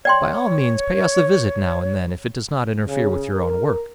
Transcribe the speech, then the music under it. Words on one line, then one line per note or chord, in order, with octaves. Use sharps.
By all means pay us a visit now and then, if it does not interfere with your own work.
C#5 D5 G5 C6
C#3
A#4